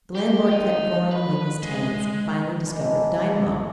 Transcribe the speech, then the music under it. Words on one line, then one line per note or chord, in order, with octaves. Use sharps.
The landlord kept going among his tenants and finally discovered the dynamo.
G4
D#4 D#5
B4
G#3
G#3 A#3 D4 E4